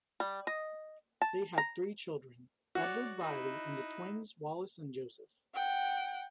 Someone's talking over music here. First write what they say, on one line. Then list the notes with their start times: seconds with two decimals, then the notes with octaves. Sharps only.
They had three children: Edward Reilly and twins Wallace and Joseph.
0.20 G3
0.47 D#5
1.22 A5
1.58 A#5
2.75 F#4 C#5 D5
3.19 D#4 E4
5.54 F#5 G5